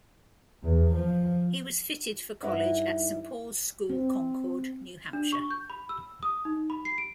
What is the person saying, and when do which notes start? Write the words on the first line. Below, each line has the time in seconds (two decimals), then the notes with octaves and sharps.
He was fitted for college at Saint Paul's School, Concord, New Hampshire.
0.64 E2
0.95 F3
2.43 G2 D#4 E4 B4 E5 F#5
3.90 C4
5.13 D4
5.32 C#6
5.51 G6
5.70 B5
5.89 E6
6.23 D#6
6.45 D#4
6.70 B5
6.85 C7
6.98 D7